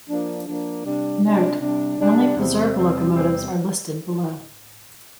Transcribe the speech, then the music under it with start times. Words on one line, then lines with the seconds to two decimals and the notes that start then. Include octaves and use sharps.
Note: only preserved locomotives are listed below.
0.08 F3 A#3 D4
0.46 F3 A#3 D4
0.84 C3 G3 D4
1.22 C3 G3 D4
1.60 C3 G3 D4
1.98 C3 G3 D4
2.37 E2 C3 G3 C4
2.74 E2 C3 G3 C4
3.12 E2 C3 G3 C4